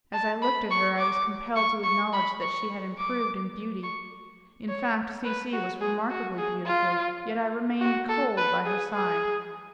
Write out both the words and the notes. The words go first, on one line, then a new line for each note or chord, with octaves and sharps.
As I looked at her, I was compelled to acknowledge that she had improved in beauty; in fact C---- C---- was remarkably beautiful, yet I remained cold by her side.
A5
B5
C#6
D6
C#6
C#6
B5
C#6
D6
C#6
C#5
B4
F#4
G#4
F#4
G#4
F4
F#4
A4
B4
G#4
G#4